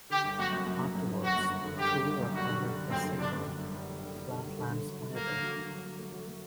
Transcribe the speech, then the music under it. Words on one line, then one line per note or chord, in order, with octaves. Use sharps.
Afterwards the trio recorded a single, "Flatland Spider".
D3 G4
G1
F#2 F#4
F#2
F#2
F#2
F#2
G1
G1 F#4
F#2
G1
D3
G1 G4
D3
G1
F#2
G3 F#4
D3
G3
D3
F#2 C4
D3
D3 D4
F#2
G1
G1
G3
D3
G3
G3
D3
G1
D3
D3
F#3
D3
A3 A#3
D3
F#3
D3
F#3
A3
A3
F#3
A3